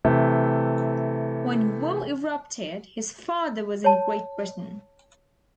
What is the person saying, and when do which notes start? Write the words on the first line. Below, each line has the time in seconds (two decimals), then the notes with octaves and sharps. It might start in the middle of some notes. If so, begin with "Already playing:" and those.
When war erupted, his father was in Great Britain.
0.05 C3 E3 A3
3.84 C#5 A5